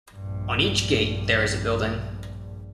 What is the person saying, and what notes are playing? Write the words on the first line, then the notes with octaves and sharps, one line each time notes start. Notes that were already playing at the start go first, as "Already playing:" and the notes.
On each gate there is a building.
A#1 G2